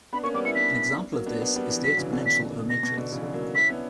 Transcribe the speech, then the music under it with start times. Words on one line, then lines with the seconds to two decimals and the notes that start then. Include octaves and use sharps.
An example of this is the exponential of a matrix.
0.13 B3 D4 B5
0.23 A#3 C#4 C#6
0.34 G3 B3 D6
0.45 C#4 E4 C#7
0.55 B3 D4 B6
1.13 F#3 A#3
1.26 B3 D4
1.41 B3 D4
1.56 G3 B3
1.70 E3 G3
1.84 D3 F#3 B6
1.98 C#3 E3
2.12 B2 D3
2.26 B6
2.70 B2 A#6
2.83 B2
2.98 B2 D3
3.12 C#3 E3
3.23 D3 F#3
3.33 F#3 A#3
3.55 C#4 E4 B6
3.69 B3 D4